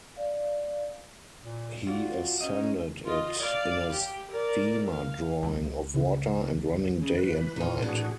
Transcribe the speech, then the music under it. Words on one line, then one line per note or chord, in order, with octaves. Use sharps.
He ascended it in a steamer drawing of water, and running day and night.
D5 F5
A#2
F4 F#4 D5
C#4 D#4 D#5
F4 D#5
D5 F5
G4
A#4 D5
F5
C#2
C#3
C#3
E3 B4
A#2 D#4 F4
A2 D4 F#4 G#4